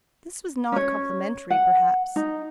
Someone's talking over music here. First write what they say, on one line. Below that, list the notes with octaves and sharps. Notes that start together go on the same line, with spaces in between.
This was not complimentary, perhaps.
C#4 C#5
F#5
D#4